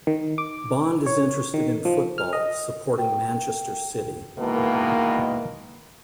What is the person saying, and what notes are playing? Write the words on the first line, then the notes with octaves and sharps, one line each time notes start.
Bond is interested in football, supporting Manchester City.
D#3
D6
C#5
D#3
F3
F6
D#5
G5
B2 D#3 E3 G#3 A#3